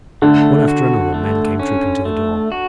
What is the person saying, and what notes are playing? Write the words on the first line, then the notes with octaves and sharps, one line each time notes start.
One after another, men came trooping to the door.
D3 A3
F#4
A3
C#4
A3
F#4